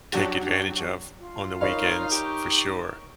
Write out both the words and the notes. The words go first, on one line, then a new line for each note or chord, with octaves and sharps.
take advantage of on the weekends for sure.
F#3 D4 F#4 G4
F4
D#4 A#4 C#5 F5 B5
G4 C#6